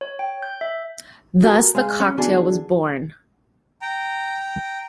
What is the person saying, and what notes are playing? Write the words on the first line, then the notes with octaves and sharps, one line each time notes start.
Thus the cocktail was born.
C#5
G5
G6
E5
F#4 G4 A4 A#4
G#3 G#4 F5
C#4
D3 E3 B3 D4 F#4 G#4
G5 A#5